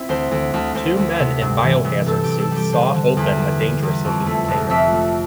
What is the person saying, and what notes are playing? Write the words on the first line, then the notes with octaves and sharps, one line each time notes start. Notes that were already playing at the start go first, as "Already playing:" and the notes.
Two men in biohazard suits saw open a dangerous looking container.
Already playing: C4 E4
D2 C5
D2
D2
D2 C5
D2
C3
G2
E3
G2
G2 A4
G4
G2
A4
G3
G4
D3 C5
D3
E2
G3
G3
E2
F2
A3
F1
F2 E5
A3